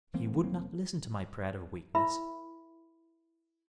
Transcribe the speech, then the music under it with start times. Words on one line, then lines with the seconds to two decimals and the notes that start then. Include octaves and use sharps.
He would not listen to my prayer of weakness.
0.14 E3 G#3 A#3 C4
0.43 F1 F#3 A#3 C4
1.95 E4 A#4 E5 B5